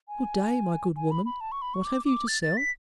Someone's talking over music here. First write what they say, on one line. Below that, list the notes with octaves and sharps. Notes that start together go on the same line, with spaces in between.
"Good-day, my good woman, what have you to sell?"
G#5
G#5
B5
B5
A5
C#6
B5
C#6
D6
D6
A6
A6
B6